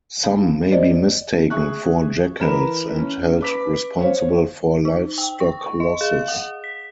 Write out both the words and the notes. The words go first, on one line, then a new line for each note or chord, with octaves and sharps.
Some may be mistaken for jackals and held responsible for livestock losses.
D4 F5 A5
C5 D5 D#5
G#4 E5 C#6 F#6
E3 A#4 B4 A#5 B5 E7
C#4
B4 D6 B6
C5 C#5 F5
D#4
G5
C#6
D#5
G#4
F#5
B6